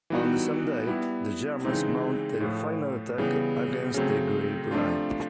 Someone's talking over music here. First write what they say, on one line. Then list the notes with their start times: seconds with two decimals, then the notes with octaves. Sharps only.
On the same day, the Germans mounted their final attack against the Grebbe Line.
0.10 E3 G3 B3 D#4 F#4
0.87 G3 B3 E4
1.65 C#3 E3 G#3 C4 D#4
2.40 A2 F3 A3
3.18 C#3 E3 G3 B3
3.94 C#3 F#3 A3 C4
4.71 C3 F3 A3 D4 F4